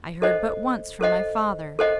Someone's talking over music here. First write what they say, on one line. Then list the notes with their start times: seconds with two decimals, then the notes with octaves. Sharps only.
I heard but once from my father.
0.22 A4 C5 D#5 F#5
1.01 A4 C5 D#5 F#5
1.79 A4 C5 D#5 F#5